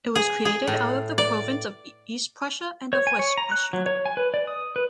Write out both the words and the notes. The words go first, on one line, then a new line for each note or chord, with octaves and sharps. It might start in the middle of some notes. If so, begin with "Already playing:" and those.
It was created out of the Province of East Prussia and of West Prussia.
G#4
G#4
A2
D5
C#5
G#5
C#5
A#5
F#6
F#3
C#5
G#5
B4
D5
D#6
B4